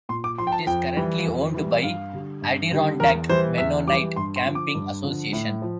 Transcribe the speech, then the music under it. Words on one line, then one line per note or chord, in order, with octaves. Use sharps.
It is currently owned by Adirondack Mennonite Camping Association.
A#2 C6
D6
F3 C6
G5
A5
F2 G5
E3 G3
F2
E3 G3
G2 F5
D3 G3
G2
D3 G3
E2 A#4
E3 G3 C5
E2 E5
E3 G3 D6
G2 C6
C6
D3 F3
D6
G2
D3 F3
A2
F3